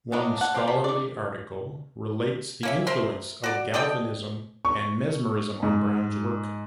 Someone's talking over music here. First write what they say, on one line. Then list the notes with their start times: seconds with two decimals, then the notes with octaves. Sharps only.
One scholarly article relates the influence of Galvanism and Mesmerism on Brown's work.
0.12 F#3 G3 D4 E4 D#5
0.38 F#5 A5
0.54 C4 G4 A#4
0.67 A4 C5 B5
0.84 D#3 D5
2.63 A#3 C#4 E5
2.87 A#4 C5 E5 C6
3.44 F#4 D5
3.74 A4 D5 D#5 G5
4.65 C#6
5.63 G#2